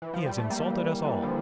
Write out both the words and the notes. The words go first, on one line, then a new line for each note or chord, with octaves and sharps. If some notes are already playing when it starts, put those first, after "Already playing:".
He has insulted us all.
E3
F3
G3
A3
G3 A#3
E3
E3
D3 F3